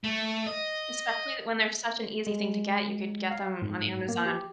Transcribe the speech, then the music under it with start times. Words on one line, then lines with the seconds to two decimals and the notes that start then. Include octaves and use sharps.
Especially that when they're such an easy thing to get, you could get them on Amazon.
0.04 A3
0.46 D#5
2.27 G#3
3.31 F5
3.62 G#2
4.08 A#3
4.26 G4